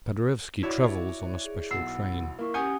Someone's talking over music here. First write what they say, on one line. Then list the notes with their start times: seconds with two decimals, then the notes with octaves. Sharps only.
Paderewski travels on a special train.
0.63 E4 F#4 C#5 D5
1.44 G#4
1.71 B1 F#5 B5 E6 C7
2.39 A#3 E4 A#4 C#6
2.54 C#4 G4 F#5 G#5 D#6 G6